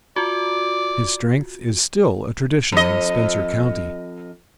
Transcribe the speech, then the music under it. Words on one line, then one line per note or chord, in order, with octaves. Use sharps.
His strength is still a tradition in Spencer County.
F4 F#4 D5
F2 D#5